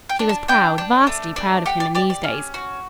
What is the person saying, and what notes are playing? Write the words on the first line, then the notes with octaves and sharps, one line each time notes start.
She was proud, vastly proud of him in these days.
G5
D4
A5
D4 G5
D4
A3
D4
G4 F#5
D5
G4 D5
D5
C#4
F#4